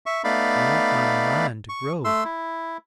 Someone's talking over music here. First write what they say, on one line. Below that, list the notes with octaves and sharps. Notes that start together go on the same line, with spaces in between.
I want my mind to grow.
E5 C#6
A3 B3 D#4 D5 F5 B5
C#6
A3 C6 E6
E4